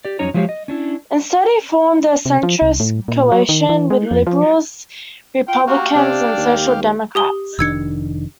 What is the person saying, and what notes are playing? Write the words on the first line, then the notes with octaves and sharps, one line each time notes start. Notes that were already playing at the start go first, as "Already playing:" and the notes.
Instead, he formed a "centrist" coalition with Liberals, Republicans and Social Democrats.
G4 D5
F2 F#3 C#4 D#4 C#5 A#5
F3 F#3 G#3 G4 C#5 F5
D#5
C#4 D4 E4
C3
F3
C2
A2
A#2
F#3
D#3
E3
G#3
F2
F3
F4 G5
F#4 G4 F5
C3 D4
D#2
G4 D#6 G7
F1 D#3 D4 E6 G#6 C#7